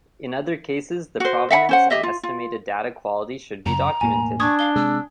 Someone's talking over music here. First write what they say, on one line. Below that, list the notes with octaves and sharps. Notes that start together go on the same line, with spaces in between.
In other cases, the provenance and estimated data quality should be documented.
F#4 C5
E5 F#5 G#5 B5
C#4 C5 F#5
G4 D#5 E5
F4
F4
F#2 C#3 A#5
E1 A2 A#3 G#5
D4 C#6 D#6 G#6
F5 G7
C3 G#3 E6